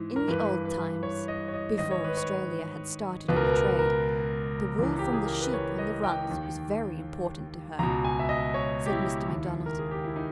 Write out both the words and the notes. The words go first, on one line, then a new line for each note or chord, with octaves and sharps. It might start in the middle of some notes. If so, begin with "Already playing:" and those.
"In the old times, before Australia had started in the trade, the wool from the sheep on the runs was very important to her," said Mr. McDonald.
Already playing: G#2 E3
A#4
G2 E3 B4
B4
C#5
D#5
C#5
D#5
G#2 D#3 D#5
C#5
B4
C#5
C#2 B2 B4
A#4
B4
A#4
A#4
C#2 C#3 E3
G4
G#4
A#4
B4
C#5
D#5
G5
D#2 D#3
C#2 B2 A#5
G#5
E5
D#5
C#5
G4
E4
D#2 D#3
A#4
G#4
G4
E4
D#4